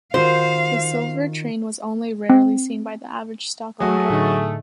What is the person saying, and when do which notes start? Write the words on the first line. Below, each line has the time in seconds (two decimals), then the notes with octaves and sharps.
The silver train was only rarely seen by the average Stockholm dweller.
0.14 D#3 F4 F#4 C5 F5
2.30 C4
3.80 F#3 A3 F#4 G#4
4.10 A2 D3 D#4